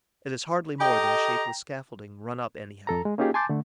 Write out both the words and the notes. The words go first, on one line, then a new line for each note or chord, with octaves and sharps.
It is hardly more than a shapeless scaffolding, run up anyhow.
G4 A4 D#5 G5 A#5
F2 A4 A#5
G#3
A#3 C#4 D#4 F4 G4 G#4
G#5 A5 C6 D6 G6 A6
D3 A3